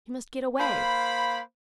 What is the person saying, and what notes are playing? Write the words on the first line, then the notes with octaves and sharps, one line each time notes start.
He must get away.
A#3 C5 F5 B5